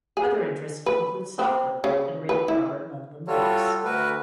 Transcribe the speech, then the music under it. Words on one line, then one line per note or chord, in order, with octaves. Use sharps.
Other interests include soccer and reading Robert Ludlum books.
G#4
B4
C4
C#3
B4
E4
G3 F4 F#4 A4 C#5
D2 F#4 A#4 B4